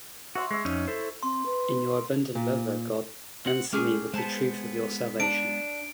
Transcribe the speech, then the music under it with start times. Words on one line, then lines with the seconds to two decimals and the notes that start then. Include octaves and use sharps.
In Your abundant love, O God, answer me with the Truth of Your salvation.
0.35 F#4 C#5 E5 C6
0.51 G#3 C#5 E5
0.65 F2 C#4 D#4
0.88 E4 A4 C5
1.23 C4 C6
1.46 B4
2.35 A#2
3.46 C4 F#5
3.73 G#3 C#4 G4 G#4
4.14 G#3 B3 C5 A5
5.20 D4 D7